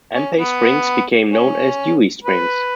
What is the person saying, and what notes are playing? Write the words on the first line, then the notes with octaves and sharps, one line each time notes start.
Empey Springs became known as Dewey Springs.
C#4
B3
C#4
B4